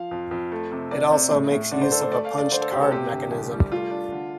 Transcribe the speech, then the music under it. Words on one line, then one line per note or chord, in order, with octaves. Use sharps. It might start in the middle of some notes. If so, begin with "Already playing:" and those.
It also makes use of a punched card mechanism.
Already playing: F3 F5
F2
F2
A3
C3
C3 D5
C3
A2
A2
D3 D5
C5
D4 A4
C5
A3 D5
F5
A3
D5
D3 C5
A4
F1 G4
A4
C3 G4
G1
C2
G3
A3 F4
D4
D3